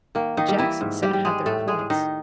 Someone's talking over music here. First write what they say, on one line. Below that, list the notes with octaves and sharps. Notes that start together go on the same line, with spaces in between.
"The Jackson set have their points."
D#3 A#3
D#3 D#4
G3
E3 E4
G#2
G3 G4
G3
G#3 G#4
A2 A3 A4
G#3 G#4
A2
D#3 D#4